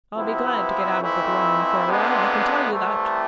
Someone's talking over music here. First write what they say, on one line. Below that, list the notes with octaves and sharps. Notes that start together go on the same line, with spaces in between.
I'll be glad to get out of the grind for a while, I can tell you that.
C3 F3 B3 E4 B4
F2 E3 A3 C4 E4
F2 C3 G#3 B3 D4
C2 C3 E3 A3